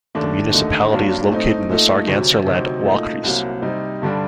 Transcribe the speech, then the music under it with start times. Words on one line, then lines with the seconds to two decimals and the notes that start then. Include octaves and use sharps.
The municipality is located in the Sarganserland "Wahlkreis".
0.15 D#2 D#3 A3 D4
0.53 D#2 D3 A3 D#4
0.92 G2 F#3 A#3 D4
1.30 A2 A3 C4 D#4
1.69 A#2 A3 D#4
2.07 D2 C3 F#3
2.46 D2 C3 F#3 C4 D#4
2.85 A#2 A3 D#4
3.23 C2 C3 F#3 A#3
3.62 C3 G3 C4 D#4
4.02 G2 D3 G3 D4